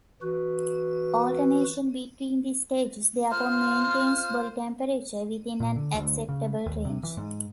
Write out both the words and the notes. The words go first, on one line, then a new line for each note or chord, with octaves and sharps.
Alternation between the stages therefore maintains body temperature within an acceptable range.
E3 F#4 B4
F4 C5 F6
A#2
D3
D2
C#3
D#2
C3
E3
G#2